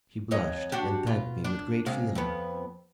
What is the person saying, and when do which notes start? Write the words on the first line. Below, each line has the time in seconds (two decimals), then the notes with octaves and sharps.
She blushed, and thanked me with great feeling.
0.31 F2 C#5 D#5
0.72 D4 F#4 G4
1.07 B2 F4
1.44 D4
1.86 C3 G#3 F5
2.15 F2 F3 B3